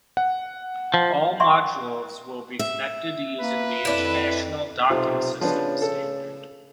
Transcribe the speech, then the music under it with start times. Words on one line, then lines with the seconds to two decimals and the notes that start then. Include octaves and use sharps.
All modules will be connected using the International Docking System Standard.
0.17 F#5
0.94 F3
1.40 D5 E5 F#5 G#5 C6 C#6
2.59 E5
3.41 A#3 B4
3.85 F2 D4 E4
4.90 B1 C3 F4
5.41 C#3 F3 B3 D4
5.82 A4